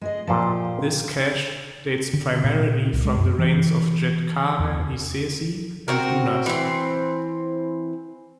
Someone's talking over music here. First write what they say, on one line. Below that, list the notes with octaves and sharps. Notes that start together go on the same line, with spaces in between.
This cache dates primarily from the reigns of Djedkare Isesi and Unas.
G#3 G#4 D#5
A#2 F3 G4 A4 C5 A5
D3
A#2
C2
G#3
F#2
E3
E2
C4 F#4 A#4
E3 C4